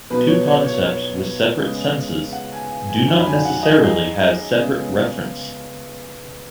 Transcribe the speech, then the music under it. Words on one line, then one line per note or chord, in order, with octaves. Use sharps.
Two concepts with separate senses do not necessarily have separate referents.
B2 F#3 B3 B4
C#5
C#5
C#5
C#5
C#3 G#3 B3
F#5
G#5
G#5
F#2 D#3 F#3
B5
G#5
F#5
D#5
G#4
C#3 G#3 B3